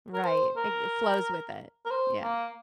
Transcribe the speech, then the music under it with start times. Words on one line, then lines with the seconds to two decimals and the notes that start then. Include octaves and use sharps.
Right. Like, flows with it, yeah.
0.14 A#4
0.24 C5
0.57 A#4
1.86 A#4
1.90 C5
2.23 A#3